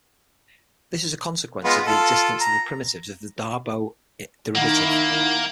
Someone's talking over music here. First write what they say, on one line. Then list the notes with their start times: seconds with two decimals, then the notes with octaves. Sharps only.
This is a consequence of the existence of primitives of the Darboux derivative.
1.64 G#3 B3 F4
1.87 F4 A4
2.41 A#5
4.55 D#3 A#3 E4 F#5